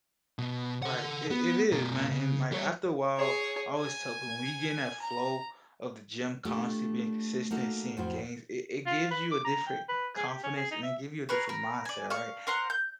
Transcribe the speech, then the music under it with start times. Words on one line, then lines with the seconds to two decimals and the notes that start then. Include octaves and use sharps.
Right. It it is, man. And, like, after a while, I always tell people, when we get in that flow of the gym constantly being consistent, seeing gains, it it gives you a different confidence, and it give you a different mindset, right?
0.39 B2
0.83 A4 F#5
1.31 B3
1.72 B2 A#4
2.11 C#3
2.52 G3 C#5
3.17 G#4 C#5
3.79 G#5
5.02 A#5
6.45 A3 D4 F4 G4
7.51 A#3 D#4 F#4 A4
7.97 F2 A2 C4 F#4 C5
8.86 F4
9.11 B4
9.32 D6
9.45 A#5
9.67 G5
9.89 B4
10.16 G#4
10.28 G4
10.43 C#4
10.57 G#4
10.71 D#4
10.83 E5
11.29 G#4 A#4 B4 C#5
11.49 A#4 B5
11.85 D5 G#5
12.10 F5 C#6
12.47 A#4 C5 F#5 A#5
12.70 G6